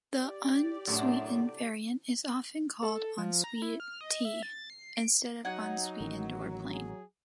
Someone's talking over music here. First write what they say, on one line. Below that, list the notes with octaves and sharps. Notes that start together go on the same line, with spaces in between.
The unsweetened variant is often called "unsweet" tea instead of unsweetened or plain.
G4 D5
F#2 A2 C3 A3 D4
A4
F3
A#5
E4
F6
D#5
E5
A6
C7
D7
F#3 D#4 F#5 G#5
A1 D#3
G#4